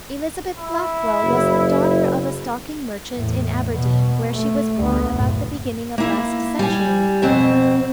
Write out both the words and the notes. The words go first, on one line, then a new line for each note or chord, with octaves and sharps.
Elizabeth Blackwell was the daughter of a stocking merchant in Aberdeen, where she was born about the beginning of last century.
E4
F#1
E2 A2
B2
A3
D2 B3
F#1 A2
A#3 E4
G3 G#5
F2 B2 C4